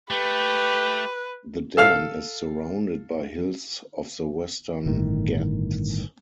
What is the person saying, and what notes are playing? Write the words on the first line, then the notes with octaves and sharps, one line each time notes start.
The dam is surrounded by hills of the Western Ghats.
A3 G4 B4
A4 F5 F6
G1 A2 D#3